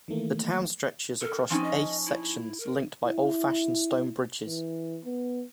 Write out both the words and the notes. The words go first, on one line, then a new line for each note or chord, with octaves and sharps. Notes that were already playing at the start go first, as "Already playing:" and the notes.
The town stretches across eight sections, linked by old-fashioned stone bridges.
D#3 E3 A3 A#3
A4 A#4
F3 C4 C#4 D#4
D#5
E4
A#4
E4
E3
B3